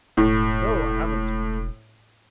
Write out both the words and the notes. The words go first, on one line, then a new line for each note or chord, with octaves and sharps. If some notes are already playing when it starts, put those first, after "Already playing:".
'No, I haven't.
E1 A2